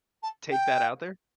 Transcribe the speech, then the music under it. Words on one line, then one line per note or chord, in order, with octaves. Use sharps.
Take that out there?
A5
G5